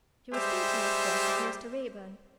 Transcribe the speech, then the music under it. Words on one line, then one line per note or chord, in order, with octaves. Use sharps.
She was thinking, of course, of Mr. Raeburn.
G3 G#3 G4 C5 E5